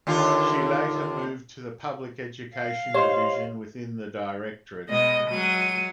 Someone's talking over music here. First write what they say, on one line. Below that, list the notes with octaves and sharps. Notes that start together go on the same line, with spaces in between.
She later moved to the public education division within the Directorate.
D#2 D3 F4
F5
G4 C5 C#5 D#5 C6
B2 G#3 D#5 D#6
F#3 G#3 D#7